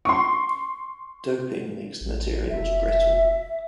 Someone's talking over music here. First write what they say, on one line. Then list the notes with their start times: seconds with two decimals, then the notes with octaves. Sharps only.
Doping makes the materials brittle.
0.05 C6 C#6
2.01 A1
2.50 F1 E5